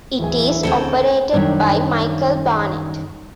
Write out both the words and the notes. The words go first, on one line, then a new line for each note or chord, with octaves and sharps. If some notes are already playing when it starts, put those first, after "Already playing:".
It is operated by Michael Barnett.
D1 E3 E4 G#4 G#5
D2 C#3 C4 A4 C#7 G7
F#2 D#3 G3 D4 C#5